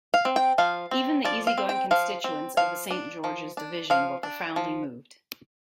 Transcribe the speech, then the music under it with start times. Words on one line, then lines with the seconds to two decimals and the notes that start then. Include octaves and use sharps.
Even the easy-going constituents of the Saint George's division were profoundly moved.
0.14 F5
0.25 C4
0.36 G5
0.58 F3 F5
0.91 C4
1.25 F3 D5
1.47 F5
1.58 C4
1.69 G5
1.91 F3 F5
2.24 C4
2.57 F3 F5
2.91 D4
3.24 F3
3.57 D4
3.90 F3 F5
4.23 D4
4.56 F3